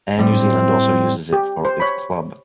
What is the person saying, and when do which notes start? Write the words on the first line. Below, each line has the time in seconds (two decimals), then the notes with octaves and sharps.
Air New Zealand also uses it for its club.
0.19 A2 G3 C4
1.33 G4
1.65 C5
1.80 C#5 B5